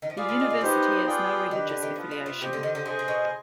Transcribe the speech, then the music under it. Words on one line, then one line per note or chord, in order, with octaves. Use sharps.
The university has no religious affiliation.
D#3
F3
G3 F4 G#4 D5 F5
G3
D#4
G#3
G3 B3 D#4 G4 C5
B3 F4 G#4 D5 G5
D#3 D4 G4 B4
D3
D#3
F3 B3 F4 B4
G3
C3
C3 G4 C5 D#5
D3
D#3
D3
C3 G#4 C5 D#5 G#5
C3
B2